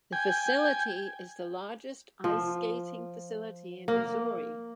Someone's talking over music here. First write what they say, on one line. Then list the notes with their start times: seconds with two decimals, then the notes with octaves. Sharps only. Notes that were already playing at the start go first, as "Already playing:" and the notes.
The facility is the largest ice skating facility in Missouri.
0.12 G5 G#5
2.24 F3
3.88 A#3